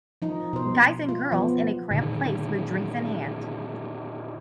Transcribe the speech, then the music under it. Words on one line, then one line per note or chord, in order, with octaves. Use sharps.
Guys and girls in a cramped place with drinks in hand.
F3 D#4
B2 C5
F4
F3 B3
A#2 D3 D#3